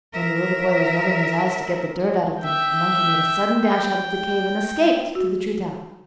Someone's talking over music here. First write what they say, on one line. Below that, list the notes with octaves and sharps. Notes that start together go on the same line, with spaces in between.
When the little boy was rubbing his eyes to get the dirt out of them the monkey made a sudden dash out of the cave and escaped to the tree tops.
A#4 E5
E5 G5
G5
F#4